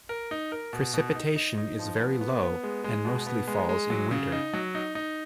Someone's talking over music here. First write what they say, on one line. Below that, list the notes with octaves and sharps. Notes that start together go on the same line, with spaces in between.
Precipitation is very low, and mostly falls in winter.
A#4
D#4
A#4
B2
B2
D#4
D#4
D#4
F3
B3
B3
B3
G#3
G#3
B2
B3
G#3
G#3
F#3
C#3
D#4
F#3
D#4
D#4